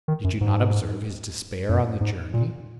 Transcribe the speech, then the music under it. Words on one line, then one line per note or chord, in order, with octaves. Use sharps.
Did you not observe his despair on the journey?
D#3
F#2
G#2
F#2
G#2
A#2